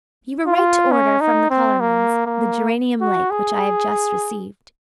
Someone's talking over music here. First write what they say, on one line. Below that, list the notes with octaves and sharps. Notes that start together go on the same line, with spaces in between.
You were right to order from the colourman's the geranium lake which I have just received.
F4
C#4
D#4
C4
A#3
A#3
F#4
G#4